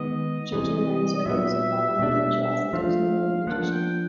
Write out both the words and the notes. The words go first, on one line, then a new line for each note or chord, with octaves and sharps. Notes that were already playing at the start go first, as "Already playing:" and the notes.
Gigerenzer was formerly a jazz and Dixieland musician.
Already playing: D#3 G#3 B3 D#5
C3 E3 G3
A#2 F#3 B3 E5
B2 G3 A#3 D4
F3 A3 D4 F5
F3 A#3 D4 F#5
F#5
G5